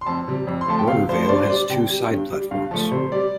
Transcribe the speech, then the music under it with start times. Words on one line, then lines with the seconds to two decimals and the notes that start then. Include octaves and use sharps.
Warnervale has two side platforms.
0.01 C6
0.07 F2 A5
0.28 C3 G3
0.47 F2
0.61 C6
0.68 F3 A3 A5
0.79 G5
0.88 C3 F5
1.09 F3 A3 C5
1.23 C5
1.29 G2 D5
1.43 C5
1.50 G3 D5
1.69 C3 G5
1.90 G3
2.10 G2
2.31 G3
2.51 G2 F5
2.71 F3 A3 A5
2.91 C3 C5
3.12 G3 D5